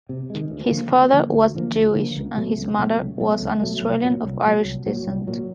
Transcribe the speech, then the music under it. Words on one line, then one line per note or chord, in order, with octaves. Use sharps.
His father was Jewish and his mother was an Australian of Irish descent.
C3
D#3 G#3
D2
D3 F3 A#3
D2
D3 F3 A#3
D2
D3 F3 A#3
D2
D3 F3 A#3
C#2
B2 F#3 A3
C#2
B2 F#3 A3
C#2
B2 F#3 A3
C#2
B2 F#3 A3
C2
A#2 F#3
C2
A#2 F#3
C2
A#2 F#3
C2
A#2 F#3